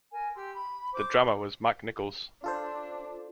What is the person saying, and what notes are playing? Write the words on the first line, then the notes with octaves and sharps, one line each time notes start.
The drummer was Mike Nicholls.
A#4 G#5
G4 C6 E6
B5
C5 D6
D4 F4 A4 C5